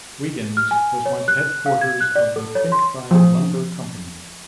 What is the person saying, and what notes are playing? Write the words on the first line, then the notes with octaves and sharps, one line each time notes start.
Wiggins was once headquarters of the Finkbine Lumber Company.
F6
G#5
C#5
F#6
F5
G#6
F#6
D5
A4
C#5
C6
F3 G#4